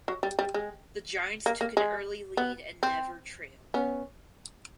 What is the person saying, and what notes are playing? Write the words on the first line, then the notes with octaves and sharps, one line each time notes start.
The Giants took an early lead and never trailed.
F#3
G3
G3
G#3
A#3
A#3
G#3
B3
C4
B3 C#4